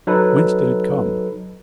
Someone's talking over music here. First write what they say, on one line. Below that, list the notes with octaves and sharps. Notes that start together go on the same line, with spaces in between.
Whence did it come?
F#3 D#4 A4 B4